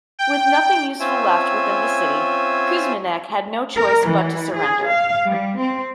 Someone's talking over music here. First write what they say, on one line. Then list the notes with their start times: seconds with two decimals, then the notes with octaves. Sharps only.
With nothing useful left within the city, Kusmanek had no choice but to surrender.
0.19 G5
1.00 C4 C#4 F4 E5 G#5
3.76 A#4
4.07 E3
4.55 G#4
4.88 F5
5.26 G3
5.57 C4